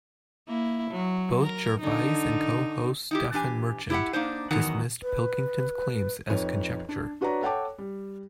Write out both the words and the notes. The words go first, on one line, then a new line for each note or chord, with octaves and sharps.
Both Gervais and co-host Stephen Merchant dismissed Pilkington's claims as conjecture.
A#3 E4
F#3
A#4
D3 D#4
D#4 E4 G4
E3 D4 G4 G#5
E4 G4 D#5 E5 F#5
A#3 D4 D#4 C5
E2 D#3 F#3 F#5 A#5
B4
F2 D#4 B4 C#5
D4
D4 F#4 B4 C#5 D5 A#5
A4 C#5 F#5 G5 A5 D6
G3